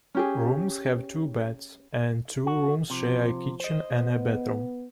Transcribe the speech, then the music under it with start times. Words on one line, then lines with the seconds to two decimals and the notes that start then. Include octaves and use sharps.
Rooms have two beds and two rooms share a kitchen and a bathroom.
0.15 C#4 G4 G#4
2.46 F#4
2.90 C3 F3
3.60 C5 D#5
3.91 B3